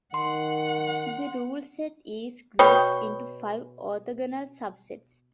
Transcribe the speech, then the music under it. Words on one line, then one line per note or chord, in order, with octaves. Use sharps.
The rule-set is grouped into five orthogonal subsets.
D#3 F#5 C6
B2 C#5 G5